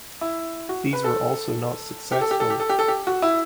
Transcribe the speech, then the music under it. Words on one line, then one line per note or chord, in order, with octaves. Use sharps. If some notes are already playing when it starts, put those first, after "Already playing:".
These were also not successful.
E4
F#4
B4
A4
G4
A4
G4
A4
G4
A4
G4
A4
G4
F#4
E4